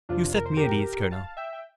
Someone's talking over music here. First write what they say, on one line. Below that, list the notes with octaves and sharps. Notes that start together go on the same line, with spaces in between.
"You set me at ease, Colonel."
F2 C3 F3 D4 F4
A#4
C5
G4 A#4
F5 A5
E5 G5
G5